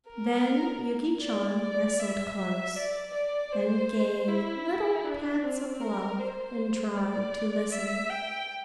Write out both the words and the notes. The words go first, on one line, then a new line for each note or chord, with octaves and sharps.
Then Yuki Chan nestled close, and gave little pats of love and tried to listen.
A#4
D5
E5
E5
D5
D5
C5
E4
D4
C4
A#4
C5
D5
E5
G5